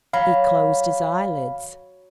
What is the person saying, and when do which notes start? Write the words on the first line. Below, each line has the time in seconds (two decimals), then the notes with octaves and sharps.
He closed his eyelids.
0.13 F#3 F5 B5